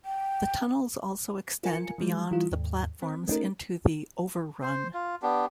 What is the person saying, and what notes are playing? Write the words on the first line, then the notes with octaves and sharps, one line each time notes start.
The tunnels also extend beyond the platforms into the "Overrun".
G5
F4 A#4 G#5 C#7
E3 F#3 G#3
E3 G3 F4
D#2 G#2
C4
A3 C#4 D#4 A#4
C5
F4
B3 D4 G4